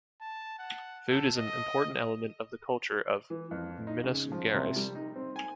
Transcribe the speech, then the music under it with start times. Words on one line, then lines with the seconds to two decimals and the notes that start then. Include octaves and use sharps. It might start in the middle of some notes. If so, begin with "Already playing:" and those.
Food is an important element of the culture of Minas Gerais.
0.21 A5
0.59 F#5
1.08 A4
1.37 D#5
3.30 E3
3.51 F2
3.87 D#4
4.04 C#3
4.32 F3
4.54 C3
4.76 G3
4.95 D#4
5.16 C4
5.36 G#5